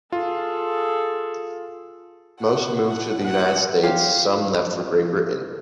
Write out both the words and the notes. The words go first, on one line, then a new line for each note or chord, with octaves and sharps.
Most moved to the United States, some left for Great Britain.
F4 G#4 A4
F#5
F#5
F#5
F4 G4 C#5 F5